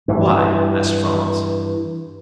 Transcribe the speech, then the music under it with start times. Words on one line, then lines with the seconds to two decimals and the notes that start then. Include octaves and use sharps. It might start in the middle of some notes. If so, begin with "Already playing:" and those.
"Why?" asked Franz.
0.08 G2 E3